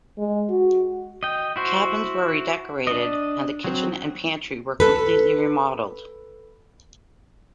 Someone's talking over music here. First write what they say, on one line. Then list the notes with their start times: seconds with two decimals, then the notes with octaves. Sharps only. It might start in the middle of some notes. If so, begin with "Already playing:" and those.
Cabins were redecorated, and the kitchen and pantry were completely remodeled.
0.18 G#3
0.49 F#4
1.23 D#5 G5
1.56 E4 F#4 C5
2.87 D4 D#5
3.64 F#3 C4
4.80 A4 B4